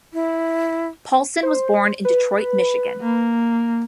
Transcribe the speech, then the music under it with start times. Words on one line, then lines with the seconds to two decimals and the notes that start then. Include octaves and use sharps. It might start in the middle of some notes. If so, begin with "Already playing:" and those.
Paulsen was born in Detroit, Michigan.
0.13 E4
1.43 C5
2.05 B4
3.01 A#3